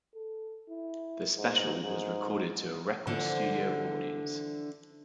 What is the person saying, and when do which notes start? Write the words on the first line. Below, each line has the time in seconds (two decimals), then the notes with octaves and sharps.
The special was recorded to a record studio audience.
0.15 A4
0.68 E4
1.37 G#2
1.84 G#2
3.07 D3 E3 F3